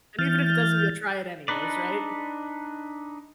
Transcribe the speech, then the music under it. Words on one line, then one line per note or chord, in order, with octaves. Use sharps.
And even if it doesn't, you'll try it anyways, right?
E3 F6 G6 A6
D4 D#4 B4 D5